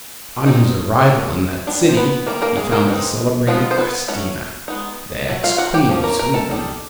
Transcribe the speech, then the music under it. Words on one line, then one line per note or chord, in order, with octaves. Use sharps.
On his arrival in that city, he found the celebrated Christina, the ex-queen of Sweden.
G3 C4 D#4
F#3 A#3 C#4
G3 B3 D4
C5
B3 B4
E3 G3 A#3 A#4
A#3 A#4
G#3 G#4
A#3 A#4
E3 G#3 C4 D#4
F3 G#3 B3 D#4 F4
C5
B3 B4
F#3 A3 C#4
G#3 B3 D#4
F#3 A3
F4 F5
F#4 F#5
G4 G5
F3 A#3 C#4
A#4 A#5
A#4 A#5
A4 A5
G3 C4 D#4